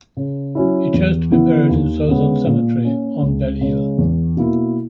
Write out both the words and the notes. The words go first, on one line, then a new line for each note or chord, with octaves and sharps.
He chose to be buried in Sauzon cemetery on Belle-Ile.
C#3
F#3 C#4 E4
E2
C#3 E3 B3 E4
D#2
C#3 G#3 B3
A#2
A#3 C#4
C#2
C#3 G#3
E2
B2 A#3 E4